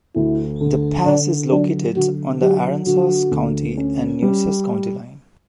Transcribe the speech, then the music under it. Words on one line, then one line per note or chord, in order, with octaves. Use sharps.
The pass is located on the Aransas County and Nueces County line.
D2 E4
D3
D3 D4
F#3 D4
D3 F#4
F#3 G4
D3 F#4
D2
C#4
G3